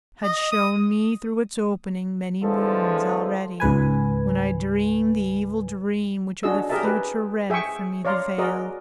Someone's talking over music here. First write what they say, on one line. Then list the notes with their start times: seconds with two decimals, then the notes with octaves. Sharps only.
Had shown me through its opening many moons Already, when I dreamed the evil dream Which of the future rent for me the veil.
0.23 D#5
0.52 D#6
2.42 E2 D3 F3 G#3 A4
3.60 C#2 G#2 B4 G#5
6.43 D4 F#4 G#4 D#5 E6
6.70 G4 G#4 A#4 D#5 E5 A5
6.84 G4 G#4 B4
7.50 G#4 E5 G5 G#5 C#6
8.05 C#5 D5 F5 A#5 C6
8.38 F#4 G#4 A#4 D5 D#5